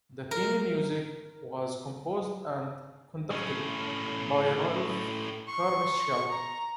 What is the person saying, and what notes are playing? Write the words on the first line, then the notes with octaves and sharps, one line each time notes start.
The theme music was composed and conducted by Ralph Carmichael.
A#4
A2 C#4
C6 C#6
A#5